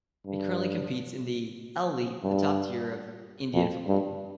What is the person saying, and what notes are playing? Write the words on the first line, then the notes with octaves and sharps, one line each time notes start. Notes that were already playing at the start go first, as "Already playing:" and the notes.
It currently competes in the I-League, the top tier of Indian football.
G2
G2
F2
G2